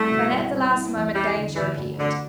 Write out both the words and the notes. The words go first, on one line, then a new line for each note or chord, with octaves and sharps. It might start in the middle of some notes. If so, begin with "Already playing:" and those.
But at the last moment danger appeared.
Already playing: C2 A3
B2
C2
C2
E4
E2
G3 E4
D3
D2 E3
D2
D2 D3